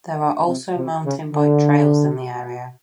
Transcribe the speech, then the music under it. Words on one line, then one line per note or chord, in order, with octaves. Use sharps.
There are also mountain bike trails in the area.
C3
C3
C#3
D3